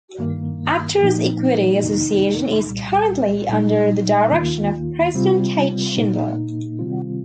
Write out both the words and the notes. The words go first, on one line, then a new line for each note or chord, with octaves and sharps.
Actor's Equity Association is currently under the direction of President Kate Shindle.
G2 D#3 A#3
A#2 F3 A#3 D#4
F2 C3 D#3 A#3 D#4
C2 A#2 G3
A#2 G3 D#4
D#2 D#3 A#3 F4
C3 G3 C4 F4
A#2 A#3 D#4
C3 D#3 G3 C4 F4